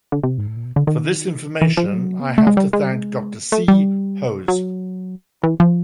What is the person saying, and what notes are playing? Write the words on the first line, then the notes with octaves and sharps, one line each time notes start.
For this information I have to thank Dr. C. Hose.
D3
C3
G#2
A2
A#2
B2
D3
D#3
E3
F3
G3
F#3
B3
A#3
A3
G#3
G3
G#3
G3
G#3
A3
G3
F#3
E3
F3